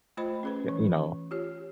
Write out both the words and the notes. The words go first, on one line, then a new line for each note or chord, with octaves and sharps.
eh, you know?
A3 F4 C5 D#5 B5
C#4 G#4 B4
E3
F4 G4 C#5